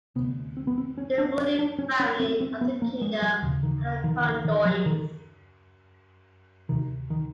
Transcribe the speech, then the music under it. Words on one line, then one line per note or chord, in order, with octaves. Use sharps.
The ruling family of the Kingdom are the conDoins.
D2 C3 B3
C4
B3
C4
C#4
D4
C#4
D4
C#4
C#4
C4
C4
B3
A#3
G#3
G3
D#2 C#3 D3
D#3
D#3
D#3
D#3
F#3
D#3
D2 C3 D#3
D#3